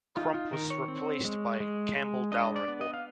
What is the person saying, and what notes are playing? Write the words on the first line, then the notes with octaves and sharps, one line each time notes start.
Crump was replaced by Campbell Dalrymple.
D#4 F4
F4
D#3 A#4
C#5
C4
G#3
G#3
G#3
D4 D#5
D5
B3
D#5
F5